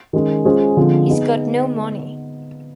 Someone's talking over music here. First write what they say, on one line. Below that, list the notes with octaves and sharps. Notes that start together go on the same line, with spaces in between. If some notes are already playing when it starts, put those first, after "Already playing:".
He’s got no money.
D#3 G#3 C#4
G#3 C#4 F4 G#4 C5
D3 F3 G#3 C4 F4
B3 D#4 G#4